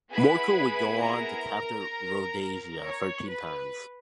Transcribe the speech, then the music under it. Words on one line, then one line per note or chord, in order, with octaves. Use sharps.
Morkel would go on to captain Rhodesia thirteen times.
B3 E4 G#4 B4 B5
A#4 A#5
C#5
B4